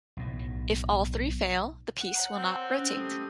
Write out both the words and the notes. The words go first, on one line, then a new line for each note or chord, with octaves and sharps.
If all three fail, the piece will not rotate.
B1 A2
F#5
C#5 A#5
C4
C#4
G3 A3 D#6